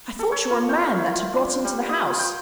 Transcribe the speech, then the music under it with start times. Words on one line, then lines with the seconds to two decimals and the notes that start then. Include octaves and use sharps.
I thought you were a man that had got into the house.'
0.19 A4
0.32 C#5
0.50 F4
0.69 G5
0.82 A#4
0.97 E4
1.13 F4
1.33 D4
1.65 G3
1.89 D#6
2.07 F4
2.19 G5